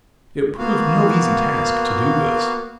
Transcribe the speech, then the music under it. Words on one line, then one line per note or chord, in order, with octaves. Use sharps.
It proved no easy task to do this.
A#3 B3 F#4 F5